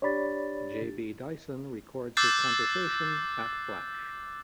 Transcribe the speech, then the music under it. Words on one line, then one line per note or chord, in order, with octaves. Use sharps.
J B Dyson records his conversion at Flash.
D4 G4 C#5 D5 B5 A6
D6 E6 F#6 G6 A6 C7